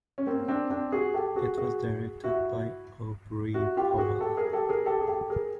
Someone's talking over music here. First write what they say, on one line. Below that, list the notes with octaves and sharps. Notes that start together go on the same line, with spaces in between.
It was directed by Aubrey Powell.
C#4
A#3 C4
C4 D4
C4 D4
F#4 G#4
G4 A4
F#4 G#4
F#4 G#4
E4 F#4
E4 F#4
F4 G4
G4
F#4 G#4
G4 A4
G#4 A#4
G#4
G4 A4
G#4 A#4
G4 A4
G#4
G4 A4
G#4 A#4